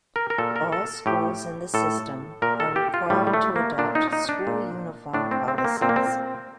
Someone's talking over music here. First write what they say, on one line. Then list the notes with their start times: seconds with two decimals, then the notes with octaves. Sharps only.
All schools in the system are required to adopt school uniform policies.
0.16 A#4
0.30 A#4
0.38 A#2 A4
0.56 A#4
0.72 A4
1.06 A2 G4
1.74 A2 A4
2.42 A#2 A#4
2.60 A4
2.76 G4
2.94 F4
3.10 A2 G3
3.27 G3
3.34 A3
3.56 A#3
3.78 A#2 D4
3.95 D#4
4.13 D#4
4.29 D4
4.47 A#2
5.14 A2 D4
5.31 C4
5.48 C4
5.58 C4
5.64 A#3
5.81 A#2 C4
5.89 A#3
5.96 C4